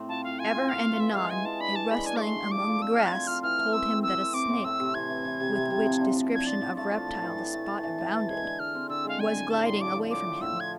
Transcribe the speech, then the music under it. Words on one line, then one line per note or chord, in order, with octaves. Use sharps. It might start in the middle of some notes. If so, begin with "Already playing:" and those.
Ever and anon a rustling among the grass told him that a snake, with which description of reptile the spot abounded, was gliding away from him.
Already playing: A2 A3 C4
F4 A5
F4 F5
F4 G#5
F4
F4 F5
F4
E3 E5
G#3 F5
G#4 G#5
E3 A5
D4 B5
E3 A5
G#3 B5
D4 G#5
D6
A3 C6
A3
F3 D6
F4
C4 E6
A3 F6
A6
F4 G#6
F4 F6
E3 F6
A3
C4 E6
C4
C4 E6
C4
C4 D6
A2
A3 E6
C3
E3 G#6
E3
E3
C3
C3
C3
F3
D4
F3
F3 G#6
D4 A6
F3
A3 A6
F3
A2
E3
A2
A3
E3
E3
E3
E3
G#3 G#6
D3
D3 F6
C4
D3 E6
G#3 F5
D3 G#5
D3
A2 A5
A2 C6
F3 D6
F3
A2 D6
A2
A2 E6
F3 G#6